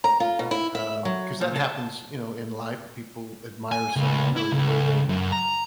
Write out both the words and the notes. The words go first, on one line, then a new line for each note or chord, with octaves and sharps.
Um, 'cause that happens, you know, in life when people admire someone, or the way they,
A#5
F4
B2
E4
E5
F#3
A#2
A5
G#5
C#2
E4
C#2
F#2
A#5